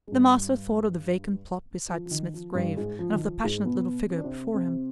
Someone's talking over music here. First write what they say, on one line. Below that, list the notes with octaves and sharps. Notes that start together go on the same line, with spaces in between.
The master thought of the vacant plot beside Smith's grave, and of the passionate little figure before him.
G#3
G2 G3
F3
F3
D#3
F3
G2 G3
G#2 G#3
F3
D#3
F3
G#2 G#3
B2 B3
C4
D4
C3 C4
C3 C4